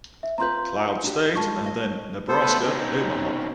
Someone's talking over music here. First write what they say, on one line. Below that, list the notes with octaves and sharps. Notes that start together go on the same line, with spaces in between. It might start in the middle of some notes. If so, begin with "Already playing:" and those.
Cloud State and then Nebraska–Omaha.
E5
C4 F4 B4 A#5 C6 G6
D4 F#4 G4
G3 G#3 F4 A5 C#6
D#5
B3 A4 C5
A3 B4
B2 C4 C#4 D#4